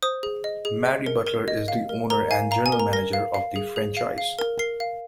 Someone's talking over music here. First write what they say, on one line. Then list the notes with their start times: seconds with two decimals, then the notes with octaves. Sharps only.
Mary Butler is the owner and general manager of the franchise.
0.02 C5 D#6
0.23 G#4
0.44 D#5
0.65 G#4
0.86 D#5
1.06 A#4
1.27 A#4
1.48 D#5
1.68 F5
1.89 A#4
2.10 A#4 A#5
2.31 F5 G#5
2.51 F5 A#5
2.66 G#5
2.72 A#4
2.79 A#5
2.93 A#4 A#6
3.13 F5
3.34 F5
3.56 G#4
3.76 G#4
3.97 F5
4.18 F5
4.39 A#4
4.59 A#4 C7
4.80 F5